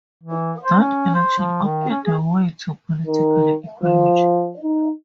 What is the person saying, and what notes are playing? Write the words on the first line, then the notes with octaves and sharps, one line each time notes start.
That election opened the way to political ecology.
E3
C5
C#4
C5
F3
D#3
C#4
G#4
D#3
F3
D#4